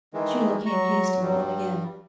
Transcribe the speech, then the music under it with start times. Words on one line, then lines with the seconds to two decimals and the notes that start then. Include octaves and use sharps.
Sheila came hastily in again.
0.13 D#3 E3 G#3
0.66 F#3 A#5 C#6
1.22 G2 G3